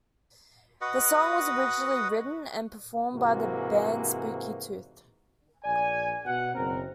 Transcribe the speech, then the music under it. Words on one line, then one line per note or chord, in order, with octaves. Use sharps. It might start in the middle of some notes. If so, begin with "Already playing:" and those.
The song was originally written and performed by the band Spooky Tooth.
F#4 B4 D#5 F#5
G#2 C3 E3 A#3 F#4
A#1 D5 G#5
B2 F#5
F#1 C4 A#4